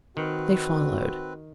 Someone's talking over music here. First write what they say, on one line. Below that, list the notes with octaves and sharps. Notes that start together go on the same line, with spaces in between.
They followed.
D#3 C4 F#4 B4